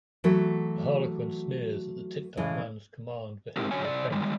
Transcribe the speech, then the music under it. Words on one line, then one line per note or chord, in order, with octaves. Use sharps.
The Harlequin sneers at the Ticktockman's command for him to repent.
E3 F#3 A3 F#4
A2 C#3 E3 G#3
G#3 C4 D#4 E4 G4 A#4
D3 F#3 C#5 G#5
C3 D5
D#3 G3 G#3